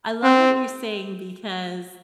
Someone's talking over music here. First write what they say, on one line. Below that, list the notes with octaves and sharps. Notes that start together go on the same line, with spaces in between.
I love what you're saying because,
C4